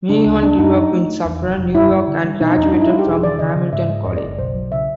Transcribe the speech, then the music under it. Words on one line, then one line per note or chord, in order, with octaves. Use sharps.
Meehan grew up in Suffern, New York, and graduated from Hamilton College.
C#3 D4
D2
A#3 D4
F#2 D#4
F#3 D#4
A3
A3
E2
F1
F1
G2 E4
G3
D3
G3
B2 D#4
D#4
E2
D4
G2 D#4
E4
G3 F4
G4
E1 G#4
D#3 D5
C#3 D#5
C#3
G#2 E5
G#3 D#5
F2 D#5
D5
F#1
B1 C5
F#3
C#3 E5